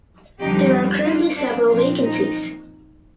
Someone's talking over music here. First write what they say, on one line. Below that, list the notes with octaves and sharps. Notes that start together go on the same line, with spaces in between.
There are currently several vacancies.
F2 D3 G3 D#4 G4
D4 F4
D4
A#2 F3 C4 D4 F4
D#4